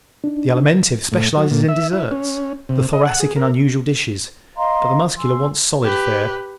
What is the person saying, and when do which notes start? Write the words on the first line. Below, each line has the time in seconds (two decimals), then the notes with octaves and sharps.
The Alimentive specializes in desserts, the Thoracic in unusual dishes, but the Muscular wants solid fare.
0.24 D4 D#4
1.12 A2
1.37 F#3
1.51 A#2
1.68 E5
1.93 E4
2.11 C#4
2.69 C3
2.93 D#5
3.05 F#5
3.20 G#4
3.36 A#4
4.56 D#5 F5 A#5 C6
5.18 G#5 C6 E6
5.84 G4 B4